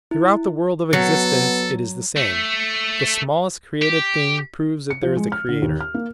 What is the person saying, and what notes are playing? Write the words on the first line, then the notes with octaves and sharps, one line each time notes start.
Throughout the world of existence it is the same; the smallest created thing proves that there is a creator.
E4
F#3 B3 A4
A3
G4
C#7
F3
G#3
F6
D3
D#2
F6
A#3